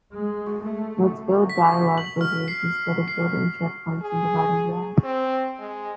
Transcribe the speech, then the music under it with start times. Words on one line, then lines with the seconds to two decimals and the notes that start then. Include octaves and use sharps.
Let's build dialogue bridges instead of building checkpoints and dividing walls.
0.14 G#3
0.64 A3
1.50 B6
1.98 F#7
2.21 F6
2.48 C7
3.08 C7
4.02 G#4
5.04 C4
5.59 G#3